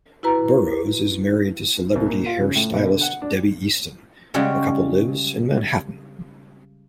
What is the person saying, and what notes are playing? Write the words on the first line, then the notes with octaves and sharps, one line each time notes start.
Burrows is married to celebrity hairstylist Debbie Easton; the couple lives in Manhattan.
E4 F#4 B4 A#5
C2
A#2
F4
C#3
A2
B2
D3
F#5
D4
C#3 G3 G#3 C#4 F#4